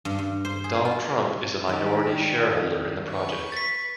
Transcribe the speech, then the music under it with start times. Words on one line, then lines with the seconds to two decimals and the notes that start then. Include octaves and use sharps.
Donald Trump is a minority shareholder in the project.
0.05 G2
0.19 G2
0.45 C5
0.64 G#4
0.85 F4
1.68 D#3 G4 D5
3.10 B4 C#6
3.52 A6 B6